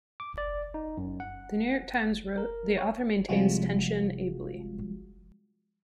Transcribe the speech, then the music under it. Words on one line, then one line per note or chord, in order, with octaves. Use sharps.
The "New York Times" wrote "the author maintains tension ably".
D6
D5
D#4
F#2
F#5
A#4
C#5
C3 F3 G3 G#3 F4 F#4